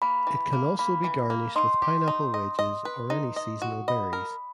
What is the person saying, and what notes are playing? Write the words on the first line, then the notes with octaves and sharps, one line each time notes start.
It can also be garnished with pineapple wedges or any seasonal berries.
A#3 B5
E3
A#3
A#3 B5
E3
A#3
D#4 C6
G4
D#4
D#5
D#5
B4
D#4
D#5
F#4
D#5 B5
A#4